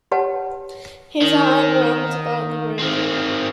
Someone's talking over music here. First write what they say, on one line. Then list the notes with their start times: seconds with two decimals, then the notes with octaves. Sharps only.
His eye roamed about the room.
0.11 G4 B4 C#5 F#5 A5
1.22 D#3
2.79 D#3 C4